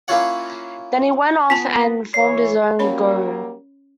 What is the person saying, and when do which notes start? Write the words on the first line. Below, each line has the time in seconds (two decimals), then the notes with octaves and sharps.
Then he went off and formed his own grou.
0.08 A#3 C#4 E4 F4 C#5 F#5
1.50 B3 F4 G#5 A5 B6
2.14 E3 C#5 C7
2.79 F#3 G3 A#3 C#4 C#5 B5